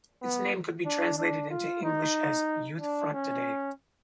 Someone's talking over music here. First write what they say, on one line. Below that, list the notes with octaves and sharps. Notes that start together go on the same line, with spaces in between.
Its name could be translated into English as "Youth Front Today".
B3
D4
D4
F4
D#4
D4
C#4